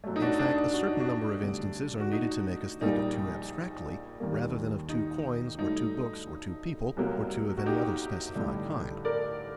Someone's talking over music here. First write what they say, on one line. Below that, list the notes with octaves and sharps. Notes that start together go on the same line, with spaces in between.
In fact, a certain number of instances are needed to make us think of two abstractly, rather than of two coins or two books or two people, or two of any other specified kind.
F#2 F#3 A3
D#4
D4 F#4
D4
D#4
F#4
D#4
D4 F#4
D2 C3 G3
F#4
D#4
A#1 A#2 G3 A#3 D#4
D#2 D#3 G3 A#3
D#4
G2 F#3 A3 D#4
C2 C3 F#3 A#3
F#4
D#4 G4
A1 G2 D3 A3
A#4 D5